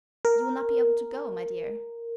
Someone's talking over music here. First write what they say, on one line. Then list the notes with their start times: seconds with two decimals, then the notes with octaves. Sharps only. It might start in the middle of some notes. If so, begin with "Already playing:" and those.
"You will not be able to go, my dear."
0.25 A#4